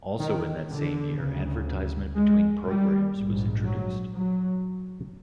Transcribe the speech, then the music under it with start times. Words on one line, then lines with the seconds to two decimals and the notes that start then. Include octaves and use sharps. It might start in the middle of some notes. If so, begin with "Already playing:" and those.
Also in that same year advertisement between programmes was introduced.
0.19 D#3
0.69 D3
1.17 D2 C#3
2.16 G#3
2.66 G3
3.15 A#1 G#2
3.65 F#3
4.14 F#3